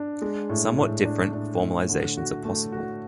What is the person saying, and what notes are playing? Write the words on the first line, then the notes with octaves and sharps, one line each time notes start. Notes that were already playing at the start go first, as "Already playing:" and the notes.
Somewhat different formalizations are possible.
Already playing: D4
G#3
A2
A2
D4
D4
A2
D3
F#4
A3
F#4